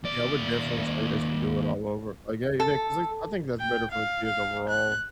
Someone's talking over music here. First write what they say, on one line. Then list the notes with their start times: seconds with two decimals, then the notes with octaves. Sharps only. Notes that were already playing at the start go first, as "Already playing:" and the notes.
yeah, I would definitely say they should do it all over, like, yeah yeah, 'cause they I think that's better for the kids overall.
0.04 D#2 D5
2.60 A4
3.60 G5
3.91 F5
4.25 F5
4.69 F#6